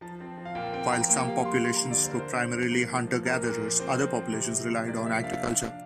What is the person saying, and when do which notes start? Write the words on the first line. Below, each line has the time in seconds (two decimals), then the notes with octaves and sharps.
While some populations were primarily Hunter-gatherers, other populations relied on agriculture.
0.01 F3 A5
0.20 C4
0.37 F3
0.45 F5
0.55 A#2 G5
0.73 C4 G5
0.91 F3 A#5
1.09 A#3 G5
1.28 G3 F5
1.45 G3 C6
1.64 G3 C6
1.77 A#5
1.82 D3
1.90 D5
1.99 D4
2.04 C5
2.11 A#4
2.18 D4 C5
2.35 D4
2.53 F3
2.72 A#3
2.90 F3
3.07 F3
3.25 A#2 A#4
3.43 A#2
3.62 F3
3.80 C4 C5
3.98 F3
4.15 C4
4.33 C3
4.51 F3
4.70 C3
4.84 E5
4.87 A#3 D5
5.06 F3 E5
5.23 D4 F5
5.41 D4
5.60 D4